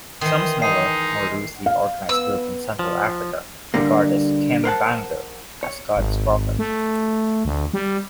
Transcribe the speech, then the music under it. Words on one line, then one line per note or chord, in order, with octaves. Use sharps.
Some smaller, more loosely organised groups in Central Africa regard Kimbangu as God's prophet.
D#3 E3 C6 D#6
G#3 D#4 D#5 C7
F5
B3 B4 E6
F3
D3 G3 A#3
A#4 C5 F#5 A5
C#5
G#1
A3
D2
G3